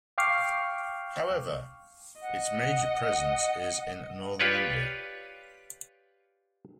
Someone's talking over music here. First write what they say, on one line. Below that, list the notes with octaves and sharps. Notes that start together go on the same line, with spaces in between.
However, its major presence is in Northern India.
F5 G5 C#6 D6 F6 C7
D#5 F#5
F4 G4 B4 C#5 D5